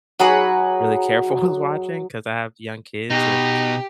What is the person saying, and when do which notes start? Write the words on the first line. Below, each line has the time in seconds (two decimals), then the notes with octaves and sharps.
really careful with watching 'cause I have young kids, and
0.19 F#3 D#4 F#4 G#4 B4 D6
3.10 B2 D#4 G4